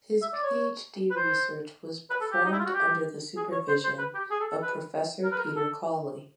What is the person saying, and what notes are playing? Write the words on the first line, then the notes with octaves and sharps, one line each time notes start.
His PhD research was performed under the supervision of Professor Peter Cawley.
E5
D5
C#5
B4
C5
B4
A4
G4
D#4
E4
F4
F#4
G4
G#4
C#5
C5
C5
B4
G4
G#4
A4
A4
B4
A#4
B4
A#4
A4